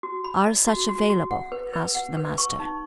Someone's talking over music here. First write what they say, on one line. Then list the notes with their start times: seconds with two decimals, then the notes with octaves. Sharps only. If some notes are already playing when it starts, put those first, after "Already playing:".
"Are such available?" asked the Master.
0.03 F#4
0.24 B5
0.46 D#5
0.67 F#4
0.89 F#4
1.10 F#4
1.31 F#5
1.52 B4
1.73 B4
1.95 F#5
2.17 B4
2.38 C#6
2.60 D#4